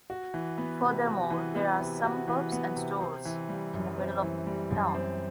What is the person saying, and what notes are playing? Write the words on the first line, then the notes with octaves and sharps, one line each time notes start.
Furthermore, there are some pubs and stores in the middle of town.
F#4
E3
B3
C3
F#4
E3
B3
C3
F#4
E3
B3
C3
C4
E3
G3
F#2
C4
E3
G3
F#2
C4